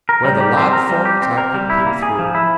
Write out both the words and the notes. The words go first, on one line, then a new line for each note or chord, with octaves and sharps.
Where the log forked I could peep through.
A#4
G3
G4
C4
A#4
G3
G4
C4
A#4
G3
E4
A#3
G#4
F3
E4